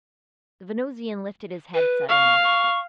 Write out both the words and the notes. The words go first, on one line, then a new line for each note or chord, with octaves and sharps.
The Venusian lifted his head suddenly.
B4
F5 C#6
C#6